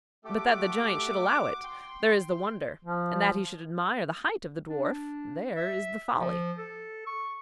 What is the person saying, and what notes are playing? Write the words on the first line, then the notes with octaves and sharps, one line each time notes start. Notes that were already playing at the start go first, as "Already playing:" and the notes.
But that the giant should allow it, there is the wonder; and that he should admire the height of the dwarf, there is the folly.
A3 F#4 G4 A4 D6
G5 C6
F3
D4
E5
F3
A4
C#6